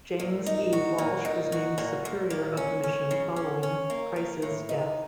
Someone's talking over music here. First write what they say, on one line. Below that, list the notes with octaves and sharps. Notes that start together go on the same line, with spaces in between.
James E Walsh was named Superior of the mission following Price's death.
A#2
D#4
F#4
A#2
D#4
F#4
A#2
A#2
A#3
C#4
C#4
C#3
C#4
C#4
A#3
A#3
A2
D#4